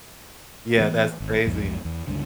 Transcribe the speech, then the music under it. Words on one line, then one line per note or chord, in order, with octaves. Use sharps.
Yeah. That's crazy.
E3 A3 B3
G#1
B1 F2 G#2 B2
E2
C#2 G2 D3